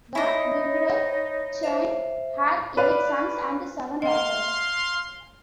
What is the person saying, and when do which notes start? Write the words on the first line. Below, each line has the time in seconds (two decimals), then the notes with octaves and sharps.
The "Divrei Chaim" had eight sons and seven daughters.
0.15 D#4 E4 C#5 D#5
1.63 C5 E5 F5
2.77 B4 D5 F5
4.02 D#5 F5 F#5 C6